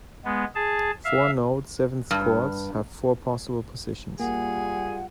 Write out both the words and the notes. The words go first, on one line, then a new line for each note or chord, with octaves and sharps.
Four-note seventh chords have four possible positions.
G#3 B3
G#4 A5
E5 F5
G2
G3 A#3 F4 G#4 F#5